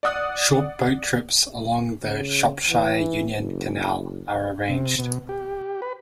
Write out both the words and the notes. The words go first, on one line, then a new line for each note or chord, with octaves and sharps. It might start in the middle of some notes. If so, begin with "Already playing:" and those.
Short boat trips along the Shropshire Union Canal are arranged.
D5 F#5 D#6 F#6
C#3
E3
F#1
C3
B2
G4
B4